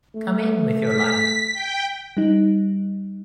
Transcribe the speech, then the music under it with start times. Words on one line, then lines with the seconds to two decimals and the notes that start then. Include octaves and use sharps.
Come in with your light.
0.15 A3
0.81 B6
1.54 G5
2.17 G3 D#4